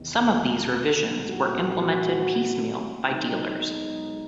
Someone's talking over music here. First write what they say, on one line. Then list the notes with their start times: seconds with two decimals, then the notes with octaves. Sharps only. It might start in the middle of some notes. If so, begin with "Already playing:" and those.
Some of these revisions were implemented piecemeal by dealers.
Already playing: E2 C3 D#3
1.24 A#2 G3 C4 D#4 F#4
3.06 B1 B2 G#3 B3 D#4